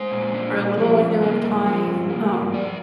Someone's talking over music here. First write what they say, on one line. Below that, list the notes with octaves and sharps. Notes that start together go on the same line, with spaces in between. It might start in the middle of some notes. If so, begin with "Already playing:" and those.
for a little window of time, um,
Already playing: G#3 C5
A#2
D4
A#2
F3
G2
A#3
G2
F3
G2
A#3
G2
F3 D5